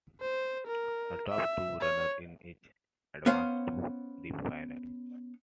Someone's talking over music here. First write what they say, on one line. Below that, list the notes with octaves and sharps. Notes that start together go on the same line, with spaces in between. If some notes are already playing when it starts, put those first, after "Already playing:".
The top two runners in each advanced to the final.
C5
A#4
E5
C#5
B3 C#4 C5 F5